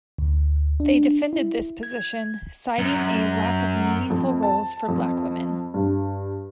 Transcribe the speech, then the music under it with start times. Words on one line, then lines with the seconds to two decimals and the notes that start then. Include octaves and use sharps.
They defended this position, citing a lack of meaningful roles for black women.
0.18 D2
0.80 D4
1.33 E4
1.83 G#6
2.79 F#2
4.10 F2
4.43 A5
4.88 F2
5.74 G2